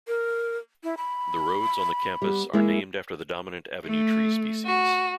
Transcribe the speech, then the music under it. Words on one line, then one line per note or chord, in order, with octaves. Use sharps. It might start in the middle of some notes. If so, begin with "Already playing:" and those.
The roads on the campus are named after the dominant avenue tree species.
A#4
E4
B5
G3 B3
G#3 A#3 E4
A3
F#4